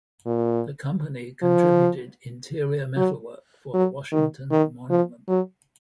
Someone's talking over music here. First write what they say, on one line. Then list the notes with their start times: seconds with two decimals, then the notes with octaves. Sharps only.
The company contributed interior metalwork for the Washington Monument.
0.26 A#2
1.42 F3
2.97 F#3
3.74 F#3
4.13 D#3
4.51 D#3
4.90 F3
5.28 F#3